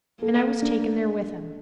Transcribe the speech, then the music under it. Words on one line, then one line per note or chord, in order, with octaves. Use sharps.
And I was taken there with him.
A#3 A4
D4